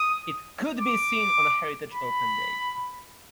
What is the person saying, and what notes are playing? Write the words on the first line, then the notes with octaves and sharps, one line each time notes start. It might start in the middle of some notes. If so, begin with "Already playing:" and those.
It could be seen on a Heritage Open Day.
Already playing: D#6
D6
B5